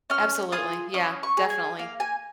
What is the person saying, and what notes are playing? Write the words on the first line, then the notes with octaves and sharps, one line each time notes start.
Absolutely, yeah, definitely.
C#4 F6
F4 G#4 D#6
C#4 D#6
C#6
G#4
G#5
A#3 F5
G#5